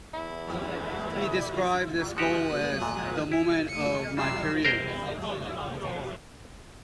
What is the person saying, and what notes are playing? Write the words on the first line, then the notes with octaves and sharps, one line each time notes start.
He described this goal as "the moment of my career".
E2 E4
F3 F#4 G4 D#6 F#6
A#2
E4
C#7 D#7
C3 G3 E6 C7
A#4 C5 D#5 G5